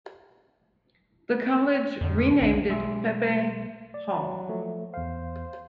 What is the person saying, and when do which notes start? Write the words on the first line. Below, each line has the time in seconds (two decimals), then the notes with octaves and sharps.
The college renamed it Pepe Hall.
2.01 F2 A2 D3
2.41 B1 D3 D4 D7
2.69 B1 G#3 E5 G#5
3.94 D5
4.11 F#3
4.49 F3 A3
4.94 E2 C5 F5